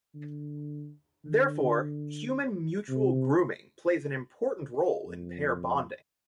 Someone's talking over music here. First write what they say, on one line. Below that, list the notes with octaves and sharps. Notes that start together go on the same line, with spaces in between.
Therefore, human mutual grooming plays an important role in pair bonding.
D3
D3
C3
F2